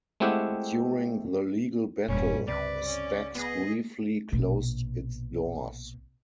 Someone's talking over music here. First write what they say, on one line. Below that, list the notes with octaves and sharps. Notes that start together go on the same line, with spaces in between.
During the legal battle, Stax briefly closed its doors.
G#3 A3 C4 E4 G4 F#5
E1 G2 A#2 G3 C#4
C#2 G2 C3 B4 D5
C#4
B3 G#4 D#5
A#1 B2